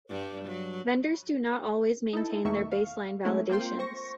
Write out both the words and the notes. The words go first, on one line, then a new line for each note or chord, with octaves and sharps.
Vendors do not always maintain their baseline validations.
G2 G3
F#3
D#4 E4 A4
E2 B2 D#3 A3 E5 C#6
F5
G#3 A3 C4 C#4 E4
A#3 C4 F4 G5 C6
C5 C#6 A#6